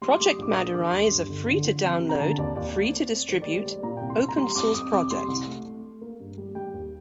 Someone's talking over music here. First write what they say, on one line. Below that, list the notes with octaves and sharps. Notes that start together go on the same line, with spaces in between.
Project madurai is a free to download, free to distribute open source project.
G3 C6
G3 D6
D#6
A#1 D6
A#3 D#6
D#3 D6
D#2 C6
G2
G1
D3
F3
C3
C3
A#5
D3 A5
D#2 D5
D#2 D5
A3
C4
C4
D#3 C5
D5
G3
C5
G3 D5
A#2 A#5
C2 G5
C6
C4
A#5
G3 C6
F2 D6
F2 D#6
C3 D6
G3 C6
C2
A3
A3
A3
A#3
G2
G3
G3 G5
D#2